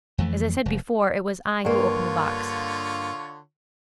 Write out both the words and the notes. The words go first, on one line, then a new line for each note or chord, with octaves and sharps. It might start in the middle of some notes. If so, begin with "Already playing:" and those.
As I said before, it was I who opened the box.'
F2 E3 A3
F1
G2 D3 A#3 F4 C#5